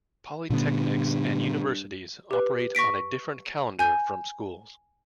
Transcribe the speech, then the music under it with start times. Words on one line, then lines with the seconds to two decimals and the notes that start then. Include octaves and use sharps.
Polytechnics and universities operate on a different calendar from schools.
0.50 G2 A#2 D3 B3
2.31 G4 B4
2.75 C#6 A#6 B6 D7
3.79 G#5 G6